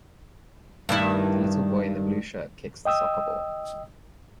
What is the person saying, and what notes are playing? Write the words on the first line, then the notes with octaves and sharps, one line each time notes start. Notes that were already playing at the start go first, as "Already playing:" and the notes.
The little boy in the blue shirt kicks the soccer ball.
G2 D#3 E4
D#5 G5 D#6 E6